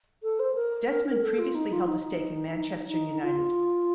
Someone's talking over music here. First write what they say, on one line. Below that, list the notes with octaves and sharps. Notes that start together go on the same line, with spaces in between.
Desmond previously held a stake in Manchester United.
A4
C5
A#4
A4
F4
D#4
F4
D#4
D#4
D#4
F4